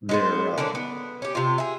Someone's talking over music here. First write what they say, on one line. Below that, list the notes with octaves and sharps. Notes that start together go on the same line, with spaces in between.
they're um
G#3 B3 C5
D3 A#3 C#4 D4
B3
C#4 G4
C3 F4
G#4 E5